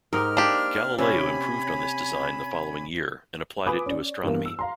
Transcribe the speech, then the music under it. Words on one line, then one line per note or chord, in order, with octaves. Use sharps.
Galileo improved on this design the following year and applied it to astronomy.
G#2 D#4 G4 A#4 F6
A#3 D4 G4 C5
C3 C#4 C#5 G#5 B5
F4 B4 G#5 B5 D6 D#6
C#4 D5
G2 E3 A#3 B3 E4
E6
F5 A#5 C6